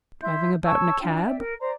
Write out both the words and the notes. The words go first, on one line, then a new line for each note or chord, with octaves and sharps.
Driving about in a cab?
E4 E5 C6 G6
C#5 A5 C#6 E6
D4 F4 G5
D5 E5 G5
A#4
C5 D5 A#5